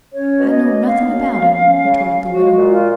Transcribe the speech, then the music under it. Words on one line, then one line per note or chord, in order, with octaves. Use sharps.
"I know nothing about it," retorted the widow.
C#4 C#5
B2
D#5
A#3
B3 F5
F#2
F3
C#4
C#3
F#3
G#3 F#4
F#4
A#2
F4